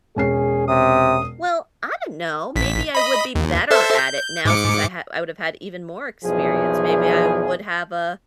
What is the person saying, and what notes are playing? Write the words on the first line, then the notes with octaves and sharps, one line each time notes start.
Well, I don't know, maybe I would be better at it now since I ha I would've had even more experience, maybe I would have a
E1 C#4 G#4 C7
C3 D#6
A1 B6
D#5 B5
D#2
A4 C5 E5
G6
G#2 D6 C#7
B1 E2 F3 G#4